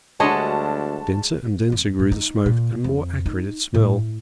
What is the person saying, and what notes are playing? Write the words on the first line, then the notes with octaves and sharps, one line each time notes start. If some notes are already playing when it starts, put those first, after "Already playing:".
Denser and denser grew the smoke, and more acrid its smell.
D2 G3 G#3 D4 F#4 C#5 D#5 A5
F2
A2
D#4
A#2
F2
D#4
A2